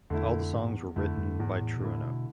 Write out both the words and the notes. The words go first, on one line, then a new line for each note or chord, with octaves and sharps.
All the songs were written by Trueno.
E2 D3 A3 E4
F2
E2 G#2
F2 D3 A3 E4
F2
E2 G#2
A2
B2
A2 D3 A3 E4
B2